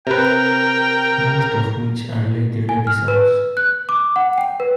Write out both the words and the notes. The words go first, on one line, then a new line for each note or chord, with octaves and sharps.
Most of which are later episodes.
C3 A#4 B4 G5
G#5
F6
B4
F#6
D6
F#5
G5
B4